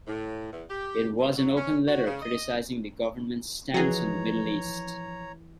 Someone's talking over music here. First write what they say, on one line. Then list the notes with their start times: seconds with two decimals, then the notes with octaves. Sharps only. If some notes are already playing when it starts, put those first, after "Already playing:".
It was an open letter criticising the government's stance on the Middle East.
0.07 A2
0.52 E2
0.69 G4
1.20 G2
1.36 F#3
1.56 C#4
1.88 F#4
2.05 C#3
2.22 D#5
3.74 E3 F3 F#4 G#4 C#5 D#5 A#5